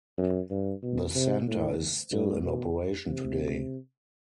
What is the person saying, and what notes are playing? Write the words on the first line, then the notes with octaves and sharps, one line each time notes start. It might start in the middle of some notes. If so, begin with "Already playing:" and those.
The center is still in operation today.
F#2
G2
B2
C3
A2
G2
B2
C3